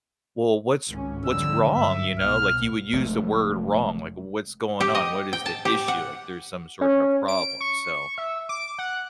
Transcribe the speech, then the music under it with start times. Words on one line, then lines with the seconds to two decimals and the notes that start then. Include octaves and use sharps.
"Well, what's what's wrong?" You know? Like, you would use the word "wrong." Like, what's going on? What is the issue? Like, there's some sort of a problem, so
0.89 G#1 C#2 C#4
1.25 F2 D3 G3 E6
1.73 G2 E5
2.19 C2 B2 F6
2.93 F1 G#3 A3
4.80 G4
4.95 D#5
5.33 G5
5.46 A5
5.65 G4
5.88 F#5
6.81 C#4
7.28 D7
7.61 C#6
8.18 E5
8.49 D6
8.78 F#5